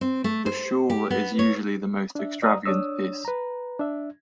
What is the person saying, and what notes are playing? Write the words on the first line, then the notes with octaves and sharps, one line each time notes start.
The shawl is usually the most extravagant piece.
C4
A3
C5
G4
B3
C#5
D4 E5
D5 A#5 D#6
D4 C#5 D#6 E6
B4 A#5
D4 E5